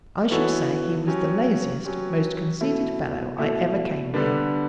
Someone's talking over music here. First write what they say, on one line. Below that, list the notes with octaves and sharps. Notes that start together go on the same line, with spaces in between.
I should say he was the laziest, most conceited fellow I ever came near.
E3 B3 F#4 A4 C#5
F#3 C#4 G4
F#3 C#4 G4
B2 A3 E4 A4
B2 A3 E4 A4
D3 G3 B3 D4